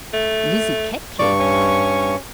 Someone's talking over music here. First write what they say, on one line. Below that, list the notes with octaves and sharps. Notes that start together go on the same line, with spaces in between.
"Lizzie Keckley."
A3
G2 D5 C#6
C#4